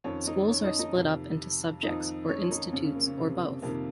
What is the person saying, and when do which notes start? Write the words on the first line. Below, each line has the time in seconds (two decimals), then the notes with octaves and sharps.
Schools are split up into subjects or institutes or both.
0.04 F2 D#3 C#4 C#5
0.27 D#4 D#5
0.50 C#4 C#5
0.64 D#4 D#5
0.79 D#4 D#5
0.94 F2 C3 D#3
1.83 F2 D#3 D#4 D#5
2.29 C#4 C#5
2.50 D#3 D#4
2.73 F2 C#3 C#4
2.84 C#3 C#4
2.95 A#3
3.06 C#3 C#4
3.18 C3 C4
3.62 F2 C3 D#3 A#3